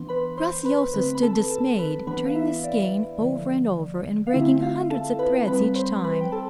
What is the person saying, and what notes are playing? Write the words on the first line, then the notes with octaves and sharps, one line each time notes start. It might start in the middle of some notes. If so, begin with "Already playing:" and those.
Graciosa stood dismayed, turning the skein over and over, and breaking hundreds of threads each time.
Already playing: E3 B3 D4 C6
B4 B5
C5 C6
B4 B5
D3 A3 C4 B4 B5
B5
A4 A5
A4 A5
B4 B5
E3 B3 D4 B4 B5
F5
E4 E5
D5
D3 F3 A3
F5
D3 A3 C4 E4 E5
F4 F5
A4 A5
B4 B5
G3 C4 B4 B5
C5 C6
B4 B5
G5
A4 A5